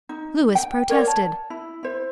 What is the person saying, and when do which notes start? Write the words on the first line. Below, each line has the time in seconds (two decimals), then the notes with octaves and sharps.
Louis protested.
0.09 D#4
0.55 G5
0.89 A#4 C#5 D5 F#5
1.07 A5
1.50 E4
1.83 E4 C5